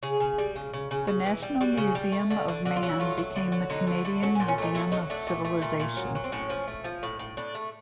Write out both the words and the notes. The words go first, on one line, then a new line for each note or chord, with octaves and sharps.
The National Museum of Man became the Canadian Museum of Civilization.
C#3 G#4
C#3
G3
C#3
C#3
C#3
C#3
E3
G3
G3 F#4
C#3
G3
A3
D3
D3
D3 F#4
F4
F#3
E4
A3 F4
F#3
D3
F#3
D3 D#4
A3
D3
F#3 C#4
C#4
A#2
C#4
A3 D#4
F#3 E4
F#3 D#4
A3 D4
A#2
A3
A#2
A#2
F#3
F#3
C4
A2 C#4
F3
A3
F3
A2
A2
A2 D4
A3